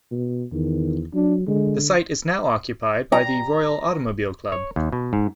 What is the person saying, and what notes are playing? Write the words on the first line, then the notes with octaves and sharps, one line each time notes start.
The site is now occupied by the Royal Automobile Club.
B2
E2 D#3
F#3 D4
D3 G#3
A#5
C#5
D#2
B2
G#2